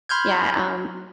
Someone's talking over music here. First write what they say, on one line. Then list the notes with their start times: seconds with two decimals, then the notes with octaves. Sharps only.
yeah, um
0.09 B5 C6 F6 G6 G#6